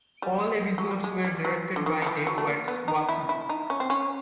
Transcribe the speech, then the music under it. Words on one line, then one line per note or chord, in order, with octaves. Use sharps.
All episodes were directed by Dave Wasson.
G3
F#3
G3
G#3
G3
F#3
D3
D#3
F3
E3
F#3
A3
A#3
B3
D#4
E4
E4
D#4
C#4
C4
C#4